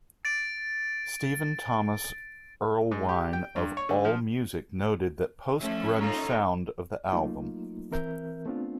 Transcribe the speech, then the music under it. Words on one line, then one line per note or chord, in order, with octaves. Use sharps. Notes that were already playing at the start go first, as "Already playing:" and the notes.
Stephen Thomas Erlewine of AllMusic noted the post-grunge sound of the album.
A6 D7
G#2
G4
G5
G2
C#5
D3
F3
F3 A3 C#4 E5
A#3 D#4 F4 A4 A#5
F#3 A3 A#3 D#4 F4
E3 C4 A#4 E5 G6
A3 B3 C4 D4 F4